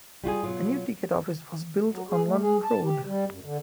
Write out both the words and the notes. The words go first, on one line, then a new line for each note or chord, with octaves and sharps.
A new ticket office was built on London Road.
G3 F4 F#4 G#4
B2 F#3 F4
F#3
G#4
A3
G#4
A5
G4
G3
F#2
D3